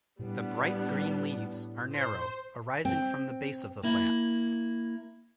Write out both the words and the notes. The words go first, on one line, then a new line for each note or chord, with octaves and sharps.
The bright green leaves are narrow, arising from the base of the plant.
A2 G3 B3 D4
C5
C4 G5
A#3 E4